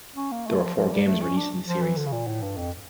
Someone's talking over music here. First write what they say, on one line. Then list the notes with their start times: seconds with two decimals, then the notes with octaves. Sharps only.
There were four games released in the series.
0.16 C#4
0.32 A#3
0.47 A3
0.61 F3
0.76 F3
0.92 G3
1.06 A3
1.22 C#4
1.37 D4
1.67 F3
1.83 E3
1.97 D3
2.07 C#3
2.12 A#2
2.27 A2
2.42 G2
2.57 F2